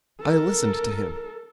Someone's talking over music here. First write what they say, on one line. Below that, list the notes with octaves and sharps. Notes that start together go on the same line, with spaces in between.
I listened to him.
A4 A#4